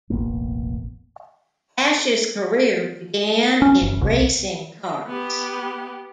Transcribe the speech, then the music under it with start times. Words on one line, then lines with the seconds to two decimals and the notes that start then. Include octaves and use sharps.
Ash's career began in racing karts.
0.10 E1 A1 A#3 B3
3.62 C#4
3.82 F#1
4.01 C2
5.07 B3 G4